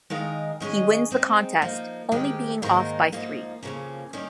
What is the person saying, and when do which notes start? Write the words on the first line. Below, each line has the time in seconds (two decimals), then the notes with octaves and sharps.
He wins the contest, only being off by three.
0.10 D#3 G#3 D#4 A#4 F5
0.60 D#3 G#3 C#4 G#4 D#5
1.11 G#3 C4 D#4 G#4
1.62 F3 A#3 D#4
2.12 D#3 G#3 C4 G4
2.62 G#2 D#3 A#3 D#4 A#4
3.12 G#2 F3 A#3 D#4
3.63 F2 C#3 F3 A#3 C#4
4.13 D#3 G3 C#4